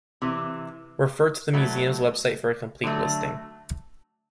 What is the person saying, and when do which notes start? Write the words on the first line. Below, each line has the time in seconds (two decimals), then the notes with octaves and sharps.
Refer to the museums website for a complete listing.
0.22 C3 E3
1.53 A2 F#3 A3
2.84 D3 F#3 A3